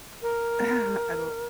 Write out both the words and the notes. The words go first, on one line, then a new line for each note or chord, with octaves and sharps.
Ah, I l
A#4